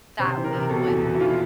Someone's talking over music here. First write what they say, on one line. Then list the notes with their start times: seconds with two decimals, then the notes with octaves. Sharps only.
that we would
0.19 C3 C5
0.37 E3
0.44 A#4
0.53 C3
0.69 B2 A4
0.87 E2
1.04 B2
1.14 E4
1.20 E3 F4